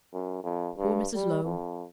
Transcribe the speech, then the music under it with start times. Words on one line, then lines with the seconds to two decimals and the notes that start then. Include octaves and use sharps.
Poor Mrs. Low!
0.13 F#2
0.44 F2
0.77 G2
1.15 G3
1.44 F2